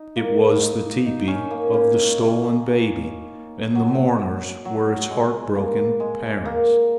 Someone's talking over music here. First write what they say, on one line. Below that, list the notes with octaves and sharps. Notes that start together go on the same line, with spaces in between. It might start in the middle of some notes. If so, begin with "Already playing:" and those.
It was the teepee of the stolen baby and the mourners were its heart-broken parents.
Already playing: D#4
A#3
D#4
D#4
C#4
A#3
A#3
F#3
F#3
G#3
A#3
G#3
A#3